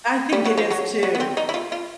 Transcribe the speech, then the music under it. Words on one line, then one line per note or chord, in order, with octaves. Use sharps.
I think it is too.
G3
F#3
F3
F#3
F#3
B3
C4
D#4
E4
F4
F4